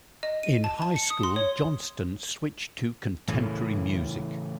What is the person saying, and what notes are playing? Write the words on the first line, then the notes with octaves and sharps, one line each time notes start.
In high school, Johnston switched to contemporary music.
D#5
D#7
A5
A5
C#7
D#6
C6
C#5
A2 C#3 E3